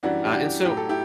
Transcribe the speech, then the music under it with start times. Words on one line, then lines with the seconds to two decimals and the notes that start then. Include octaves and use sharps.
Uh, and so,
0.03 F#2 E3 G3 D4 F#4
0.26 G4
0.34 D4 F#4
0.65 A2 F#3 G4
0.77 A4
0.89 E4 G4